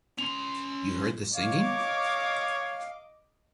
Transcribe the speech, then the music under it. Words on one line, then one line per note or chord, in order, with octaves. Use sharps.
You heard the singing?
C#4 C6 F7
C#5 D#5 F5 D6